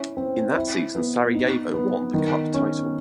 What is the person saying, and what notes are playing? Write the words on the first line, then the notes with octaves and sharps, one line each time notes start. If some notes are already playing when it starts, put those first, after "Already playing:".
In that season Sarajevo won the cup title.
Already playing: C#4 E4
C4
E4
B3
D#4
B3
D#3
C#4